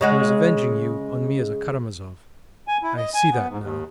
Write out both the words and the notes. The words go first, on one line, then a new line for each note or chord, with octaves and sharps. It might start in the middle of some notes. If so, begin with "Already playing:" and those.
He was avenging you on me as a Karamazov, I see that now.
C#3 G#3 F#4
G#5
E4
D#5
G#5
B3
G#2
D#2